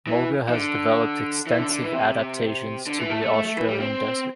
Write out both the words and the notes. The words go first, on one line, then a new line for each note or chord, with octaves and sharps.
Mulga has developed extensive adaptations to the Australian desert.
E3
E3
D3
E3
D3
D3
E3
C3
D3
E3
A3
A3
A3
A3
E3
G3
C4